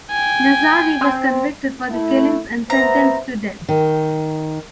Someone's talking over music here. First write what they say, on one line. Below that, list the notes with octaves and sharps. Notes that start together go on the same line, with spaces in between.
Nazari was convicted for the killings and sentenced to death.
G5 G#5
C4
A3 E4
B3 C5 E5 A#5
D#3